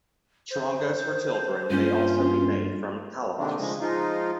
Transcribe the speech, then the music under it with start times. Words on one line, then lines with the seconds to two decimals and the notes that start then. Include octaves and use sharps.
Charangos for children may also be made from calabash.
0.51 C5
1.70 G2 A#3 C#4 F4
3.38 C3 D#3 A3 A#3 C4 D4
3.58 C#3 F3 G#3
3.81 F3 G#3 D#4 F4